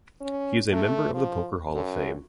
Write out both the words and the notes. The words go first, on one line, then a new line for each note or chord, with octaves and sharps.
He is a member of the Poker Hall of Fame.
C#4
A3
F3
F#2